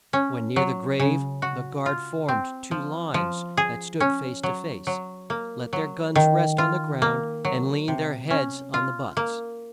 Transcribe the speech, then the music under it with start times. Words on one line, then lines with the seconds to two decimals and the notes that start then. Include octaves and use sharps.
When near the grave the guard formed two lines that stood face to face, let their guns rest on the ground, and leaned their heads on the butts.
0.13 C#4
0.56 F#3
1.00 C#3
1.42 F#4
1.86 F4
2.29 C4
2.71 F3
3.14 F3
3.57 G#4
4.00 C#4
4.43 F#3
4.87 F#3
5.30 A#3
5.73 F#3
6.16 D#3
6.58 F4
7.02 A#3
7.45 F#3
7.88 C3
8.30 C#4
8.74 F4
9.17 A#3